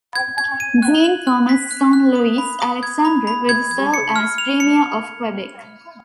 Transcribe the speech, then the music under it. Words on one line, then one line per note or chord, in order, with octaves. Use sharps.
Jean-Thomas's son Louis-Alexandre would serve as Premier of Quebec.
G#6
G#6
D#7
F#6
F#7
F#6
B6
F#6
F#6
D#6
B5
D#6
G#6
B5
B5
G#6
G#6
C#7
F6
F7
C#7